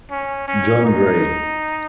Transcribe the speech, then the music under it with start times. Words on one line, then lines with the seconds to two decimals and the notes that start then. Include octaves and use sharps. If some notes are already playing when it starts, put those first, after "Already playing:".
John Gray.
0.11 C#4
0.48 C#4
0.85 D#4